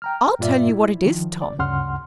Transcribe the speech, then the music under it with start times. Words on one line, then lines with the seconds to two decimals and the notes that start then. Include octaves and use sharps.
"I'll tell you what it is, Tom."
0.02 G5 A#5 F6
0.39 G2 A#2 F4 D5 E5
0.69 E4
1.06 D#3 F3
1.42 D5
1.59 D2 G2 C#3 F#5 C6 F6